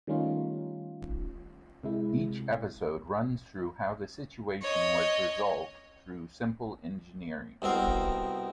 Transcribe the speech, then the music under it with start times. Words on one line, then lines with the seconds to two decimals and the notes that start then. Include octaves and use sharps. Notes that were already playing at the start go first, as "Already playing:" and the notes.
Each episode runs through how the situation was resolved through simple engineering.
0.07 D#3 G3 A3 C#4 D#4 F4
1.83 C3 G#3 E4
4.62 C#5 D#5
7.62 C2 B2 C4 A#4